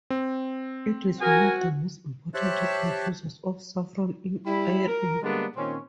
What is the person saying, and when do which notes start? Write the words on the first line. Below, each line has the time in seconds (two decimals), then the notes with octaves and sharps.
It is one of the most important producers of saffron in Iran.
0.10 C4
1.21 F#4 A#4 G#5
2.34 G4 C5 C#5 E5 A5 F#6
4.46 G3 E4 B5
4.87 A#4
5.22 D3 G3 G#3 A#3 B3 D4
5.56 A#2 D#3 C4 C#4